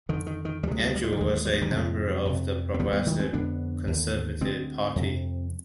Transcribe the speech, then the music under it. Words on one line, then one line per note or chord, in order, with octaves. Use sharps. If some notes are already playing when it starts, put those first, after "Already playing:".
Andrewes was a member of the Progressive Conservative Party.
F2 D3 D#3
D#3
D#3
D2 C3 G3 G#3
G3
G#3
G3
G#3
G3
D#2 D3 G#3
G3
G#3
G3
G#3
D#3 G3
F2 C3 F3 G#3
F2 C3
C4
D#2 D3 G3 B3
G3 B3
D#3 G3
G#3 C4
F2 D3 B3 D4
D#2 D3
D2 D3 G#3 C4
F2 C3